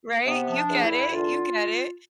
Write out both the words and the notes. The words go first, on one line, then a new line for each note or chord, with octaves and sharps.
Right? You get it, you get it.
C3 B3
F3
D4
E2
E4
E2
D3 F4